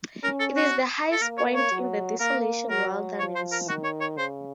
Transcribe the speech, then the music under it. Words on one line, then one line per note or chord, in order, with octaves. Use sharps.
It is the highest point in the Desolation Wilderness.
C#4 A#4
A4
F#4
A4
A#3 A#4
C#5
C#5
F#3
A#3 A#4
F#3 A#4
F3 C#5
C5
A#4
D#3 F#4
C#5
C#5
C#3 C5